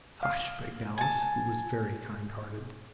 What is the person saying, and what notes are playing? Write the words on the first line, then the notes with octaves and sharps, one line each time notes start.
"Hush!" begged Alice, who was very kind-hearted.
F5
G#5 A5